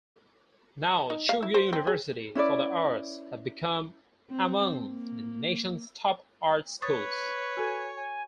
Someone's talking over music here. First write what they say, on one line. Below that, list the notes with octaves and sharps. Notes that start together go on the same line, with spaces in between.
Now Chugye University for the Arts has become among the nation's top art schools.
D#4
F5
E4
C5
C4
G#4
C#4 E4 B4 D5
C4
A#3
B4 C#5 C#6 D#6 A6
F#4 A4 G#5
G#5